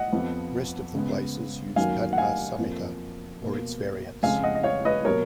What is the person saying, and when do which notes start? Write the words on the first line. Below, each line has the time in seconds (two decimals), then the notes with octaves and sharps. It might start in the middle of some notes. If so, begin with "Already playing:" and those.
Rest of the places use Padma samhita or its variants.
Already playing: D#5 F#5
0.12 F2 F3 B3
0.95 C#3 G#3 B3
1.76 F#2 D#3 F#3 A#3 F5 G#5
2.13 F#5
2.18 F5 G#5
2.59 F2 F3 A#3
3.41 B2 A#3
4.23 F2 C#3 G#3 F5 G#5
4.43 D#5 F#5
4.55 D#5
4.63 C#5 F5
4.85 B4 D#5
5.05 B2 F#3 A#3 A#4 C#5